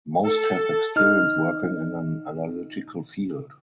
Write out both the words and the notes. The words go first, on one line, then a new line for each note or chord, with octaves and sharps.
Most have experience working in an analytical field.
A4
D#4 F6